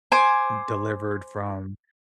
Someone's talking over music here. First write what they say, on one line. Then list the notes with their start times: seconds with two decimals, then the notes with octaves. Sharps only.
delivered from,
0.12 C5 G#5 D6